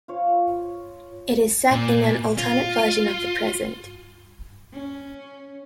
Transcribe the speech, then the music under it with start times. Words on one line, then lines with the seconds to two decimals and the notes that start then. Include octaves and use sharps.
It is set in an alternate version of the present.
0.08 F4 C#5
1.71 A#2
2.38 F4
4.73 C#4